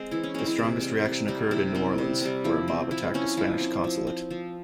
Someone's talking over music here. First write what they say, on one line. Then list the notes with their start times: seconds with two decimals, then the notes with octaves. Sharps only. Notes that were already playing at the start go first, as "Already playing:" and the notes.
The strongest reaction occurred in New Orleans, where a mob attacked the Spanish consulate.
Already playing: G#3 C4
0.11 E3 E4
0.23 C#4
0.34 G#3 C4 C#4
0.47 E4
0.58 C3
0.81 G3 C4
1.05 C3
1.28 G3 C4
1.51 C3 E4
1.75 G3 C4
1.98 C3
2.21 G3 C4
2.44 F3 E4
2.68 C4
2.91 F3 E4
3.14 C4 C#4
3.37 F3 E4
3.61 C4
3.84 F3
4.07 C4
4.30 F3